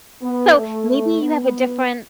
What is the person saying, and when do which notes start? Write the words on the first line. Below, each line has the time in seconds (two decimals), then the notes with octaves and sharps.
So, maybe you have a different,
0.22 B3
0.56 A3
0.90 A3
1.22 B3